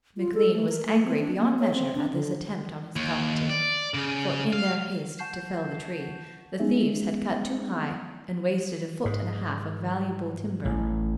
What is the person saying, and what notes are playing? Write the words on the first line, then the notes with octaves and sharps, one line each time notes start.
McLean was angry beyond measure at this attempt on his property, for in their haste to fell the tree the thieves had cut too high and wasted a foot and a half of valuable timber.
F4
A4
A3
A#4
A3
C4
D4
A#3
C#5
C4
D4
D3
D#2
D5
C#3
F5
F#5 A5 C#6 G6 C7 E7
G#3 B3 C#4 D#4 G#4 E5
G#2
A1